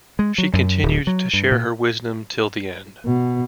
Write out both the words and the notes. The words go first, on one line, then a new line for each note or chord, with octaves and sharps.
She continued to share her wisdom till the end.
G#3
F#3
F#2
D1
F#3
G2
A#2
B2